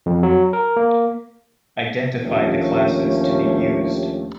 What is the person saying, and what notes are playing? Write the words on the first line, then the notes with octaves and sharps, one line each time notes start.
Identify the classes to be used.
F2
F#3
A#4
A#3
D#2 F3 A3 C#4 D4 G4